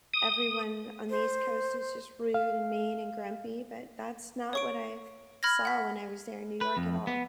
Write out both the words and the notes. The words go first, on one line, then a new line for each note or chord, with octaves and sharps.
everyone on the East Coast is just rude, and mean, and grumpy, but that's not what I've saw when I was there in New York at all.
D#6
C5
F5
C#5 C#6 D7
B5 F6 G#6 A#6
F#5 B6
B4
F2
B3